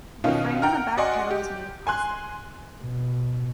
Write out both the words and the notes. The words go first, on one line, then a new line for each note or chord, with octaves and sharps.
The frame and the back panel is made of plastic.
B2 D#3 C#4 F4
F#5 G5 A#5 F6
F#4 D5 D#5 F#5 G#5 C6
G4
G#5 C6 F#6
B2